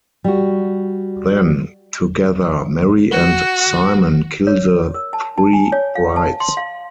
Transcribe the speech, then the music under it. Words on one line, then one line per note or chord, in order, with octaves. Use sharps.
Then, together Mary and Simon kill the three brides.
G3 F#4
F#4
C#5
A#4
A5
A5
G#5
C#5
F5
A5
C6
F5